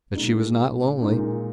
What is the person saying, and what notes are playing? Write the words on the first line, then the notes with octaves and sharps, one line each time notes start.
But she was not lonely.
A#2 G#3 D#4 A#4
A#2 G#3 D#4 A#4